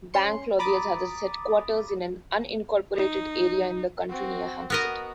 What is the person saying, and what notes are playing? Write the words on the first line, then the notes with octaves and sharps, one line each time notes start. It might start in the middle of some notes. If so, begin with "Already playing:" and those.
Bank Clothiers has its headquarters in an unincorporated area in the county, near Hampstead.
C#4 C6 C#7
A#5 B5 D6 D#6 A6
D#4
C4 F#4
B3 F#4 A#4 D#5